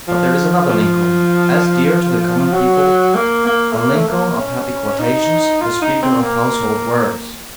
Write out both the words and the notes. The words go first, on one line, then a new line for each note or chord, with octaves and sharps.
But there is another Lincoln as dear to the common people--the Lincoln of happy quotations, the speaker of household words.
F3
F3
F#3
A#3
A#3
A3
A#3
A3
A#3
C#4
D#4
F4
D#4
C4
A#3